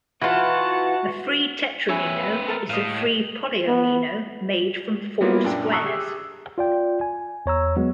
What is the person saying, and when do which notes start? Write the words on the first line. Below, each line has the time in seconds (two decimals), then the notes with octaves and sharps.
A free tetromino is a free polyomino made from four squares.
0.22 E3 F4 F#4 F#5 A5
1.89 C4 B4 C#5 E5 G#5
2.48 A4 A#4 A5
2.70 A2 D#5 F5
3.67 B3
5.21 G3 A#3 B3 E4 F4 A#4
5.44 F#2 A#2 D4 G5
5.72 A5 A#5 C#6 D#6 E6 F#6
5.85 G4 G#4
6.58 F4 D5 G5
7.01 G#5
7.46 E2 C#5 A#5 E6
7.77 F#3 G#3 B3